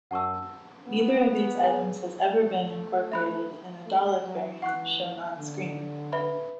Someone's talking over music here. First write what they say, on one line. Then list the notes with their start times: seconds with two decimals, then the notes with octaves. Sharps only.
Neither of these items has ever been incorporated in a Dalek variant shown on-screen.
0.11 F#2 F#5 A5 C#6 E6
0.87 B3
1.62 G#4 C#5 G#5
2.36 A3
3.12 E5 B5 F#6
3.86 A3
4.24 F#3
4.62 E3 F#5 C#6 F#6
5.37 D3
6.12 B4 E5 B5